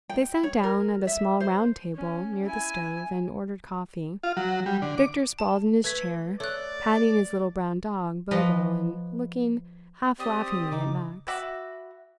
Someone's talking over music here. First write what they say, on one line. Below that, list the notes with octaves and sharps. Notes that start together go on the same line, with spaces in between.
They sat down at a small round table near the stove and ordered coffee. Victor sprawled in his chair, patting his little brown dog Bobo and looking, half laughingly, at Max.
G5
C#5
A#4
E5
C5
C#4
E4 G#5
F4
F#3
G3
D3
D6
A5
A3 B4 G#6 B6
A3 C#5 D5 F#6
F3 F#4 B4 D#5 A5
C4 G4 D5 D#6
C#3 D#4 D6
F#4 E5 B5 D6